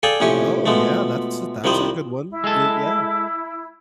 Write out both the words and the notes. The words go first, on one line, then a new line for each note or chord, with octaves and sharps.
Oh yeah, that's a that's a good one, eh Yeah,
G#4 A4 D5 F5 G5 G#5
A#1 A2 C3 C#4 G4 G#5
B2 F3 G#3 A3
C2 D#3 F3 G3 C5 D#5
E4
G#3 A4